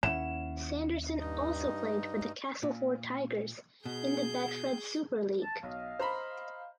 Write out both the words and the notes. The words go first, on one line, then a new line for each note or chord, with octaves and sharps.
Sanderson also played for the Castleford Tigers in the Betfred Super League.
D#2 G3 C#4 E4 F#5 E7
G2 D#4
A#2
B2 G#4 G6
A5
B1 D#5 F5
C5 A#5 B5